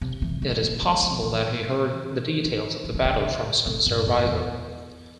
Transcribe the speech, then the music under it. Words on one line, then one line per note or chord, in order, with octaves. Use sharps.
It is possible that he heard the details of the battle from some survivor.
C3
E3
G#3
A#3
G#3
F3
E3
E3
F3
E3
C#3
C3
G2
F2
E2